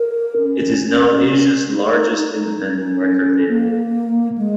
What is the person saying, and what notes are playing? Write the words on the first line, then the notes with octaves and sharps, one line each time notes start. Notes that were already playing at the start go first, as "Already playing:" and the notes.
It is now Asia's largest independent record label.
Already playing: A#4
C#4
D#4
D#4
C#4
A#3
G#3